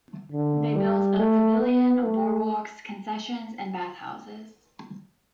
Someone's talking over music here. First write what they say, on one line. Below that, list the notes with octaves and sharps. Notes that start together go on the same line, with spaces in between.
They built a pavilion, boardwalks, concessions and bath houses.
D3
G3
A3
B3
A3